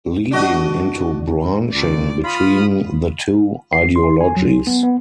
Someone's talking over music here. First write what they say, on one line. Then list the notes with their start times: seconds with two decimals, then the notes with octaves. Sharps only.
Leading into branching between the two ideologies.
0.31 D4 F#4 D#5
1.70 C#2 D5
2.24 F4 B5 D#6 F6
3.73 C7
3.96 C6
4.21 G#5
4.37 F#3
4.67 B3
4.83 B3